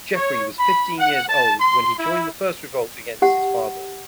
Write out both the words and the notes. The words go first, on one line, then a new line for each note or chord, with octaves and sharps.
Geoffrey was fifteen years old when he joined the first revolt against his father.
C#5
B5
F#5
A5
C6
E4
G4 F#5